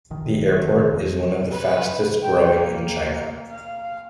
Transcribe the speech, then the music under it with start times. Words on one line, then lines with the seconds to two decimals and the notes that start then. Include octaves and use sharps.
The airport is one of the fastest growing in China.
0.10 F#1 D#3
0.93 F2
1.52 B4
2.22 G5
2.57 A#3
3.51 F5